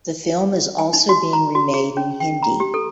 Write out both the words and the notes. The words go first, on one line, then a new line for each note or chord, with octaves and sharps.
The film is also being remade in Hindi.
G#5
D#4
F#4
A#5
F#4
G#4
C#4
G5
A#5
G4
A4